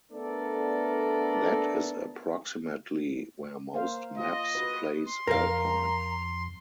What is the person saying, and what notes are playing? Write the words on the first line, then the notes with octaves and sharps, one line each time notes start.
That is approximately where most maps place Alpine.
A3 B3 D4 A4 A#4 D5
A#3 C5 F5
F4 D#5
F#4 B4
C6
F2 A#4 F5 A#5